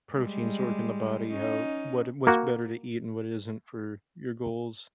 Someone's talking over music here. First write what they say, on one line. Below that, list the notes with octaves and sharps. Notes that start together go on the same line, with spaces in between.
proteins work in the body, how what what's better to eat and what isn't for your goals,
G3 G#3
C#4 D#4
A#3 F#4